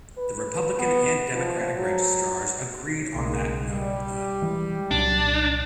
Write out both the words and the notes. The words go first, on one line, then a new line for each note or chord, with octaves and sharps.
The Republican and Democratic registrars agreed on that numbe.
B4
B3
F3
F#3
B1 C#3 G#3 A#3
G3
E3 G#3
C2 A#2 F#3 D4